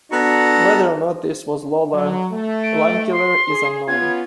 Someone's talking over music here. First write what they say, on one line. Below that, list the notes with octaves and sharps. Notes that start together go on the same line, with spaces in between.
Whether or not this was Lola Limekiller is unknown.
B3 D4 F#4 A4 A#5
F#3
A3
D7
C6
G#4
B3 C#4 F4 G#6